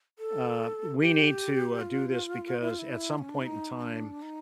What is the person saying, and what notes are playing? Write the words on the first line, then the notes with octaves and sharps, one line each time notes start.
uh, we need to, uh, do this because at some point in time,
A4
G4
F4
E4
F4
E4
C#4
D4
E4
D#4
D4
D#4